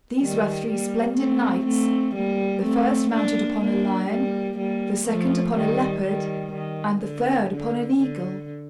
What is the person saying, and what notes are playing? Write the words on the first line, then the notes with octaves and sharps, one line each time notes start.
These were three splendid knights, the first mounted upon a lion, the second upon a leopard, and the third upon an eagle.
D#3 G3
G3 A#3
A3 C4
A3 C4
G3 A#3
A3 C4
A#3 D4
A#3 D4
G3 A#3
G3 A#3
F3 A3
D#3 G3
D#3 G3
D#3
D3
D3
D3